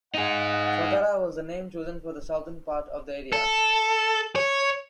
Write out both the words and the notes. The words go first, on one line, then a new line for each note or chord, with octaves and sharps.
"Swatara" was the name chosen for the southern part of the area.
D#4 G#4 D#5 F5 F#5
A4
C#5